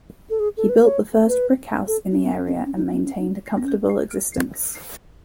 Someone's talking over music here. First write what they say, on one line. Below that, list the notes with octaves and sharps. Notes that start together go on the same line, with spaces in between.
He built the first brick house in the area and maintained a comfortable existence.
A4
G#4
A4
B4
C#5
B4
A4
D#4
C#4
B3
C#4
C#4
B3
C#4
D#4
B3
C#4
D#4
B3
C#4